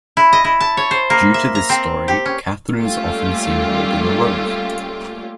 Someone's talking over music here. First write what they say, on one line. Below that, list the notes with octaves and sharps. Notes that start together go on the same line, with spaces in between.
Due to this story, Catherine is often seen holding a rose.
E4
D#5
E4
A5
C#5
C5
A#3
E5
A#5
C4
G4
C#4
G3 A3 A#3 C#4 F4 G4